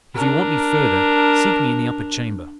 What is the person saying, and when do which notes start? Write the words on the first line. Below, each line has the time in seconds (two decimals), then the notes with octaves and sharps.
"If you want me further, seek me in the upper chamber."
0.14 D4 A#4